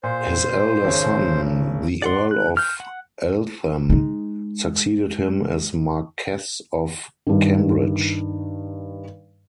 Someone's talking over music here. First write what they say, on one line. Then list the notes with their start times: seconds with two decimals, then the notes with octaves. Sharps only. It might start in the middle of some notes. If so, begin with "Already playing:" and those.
His elder son, the Earl of Eltham, succeeded him as Marquess of Cambridge.
0.03 A#2 C5
0.84 G#1 C#3 C#5
2.02 D5 F#5 C6
2.31 F#6
2.57 F6 G6
2.80 F#5
3.90 G#3 D#4
7.27 G2 D#3